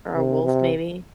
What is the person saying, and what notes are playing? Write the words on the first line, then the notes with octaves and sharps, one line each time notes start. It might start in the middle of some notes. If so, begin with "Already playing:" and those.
or a wolf, maybe
C3
C3